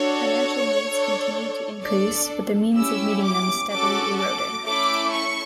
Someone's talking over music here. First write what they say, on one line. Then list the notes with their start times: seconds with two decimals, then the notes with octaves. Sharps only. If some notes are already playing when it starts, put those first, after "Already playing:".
Financial needs continued to increase, but the means of meeting them steadily eroded.
Already playing: D4 F#4 A4 C#5
0.87 D4 A4
1.81 D4 A4 D5
2.76 C#4 E4 G4 E6
3.23 D6
3.71 C#4 F#4 A4 D6
4.19 D6
4.65 A3 C#4 E4 D6
5.13 C#6